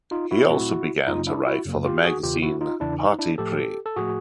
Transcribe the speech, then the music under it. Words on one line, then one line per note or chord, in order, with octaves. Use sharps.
He also began to write for the magazine "Parti pris".
D#4 F4
E4 F#4
A#2 F#3 A3 C4 E4 F#4
F#2 C#3 F#3 A#3 D#4 F4
D4 E4
E4 F#4
F#2 C#3 F#3 A#3
F4 G4
F#4 G#4
E2 C#3 E3 F4 G4
E4 F#4
D#4 F4
E2 C#3 E3 D4 E4
D#4
D4 E4
A2 F3 A3 G4 A4
A4
A2 F3 A3 F#4 G#4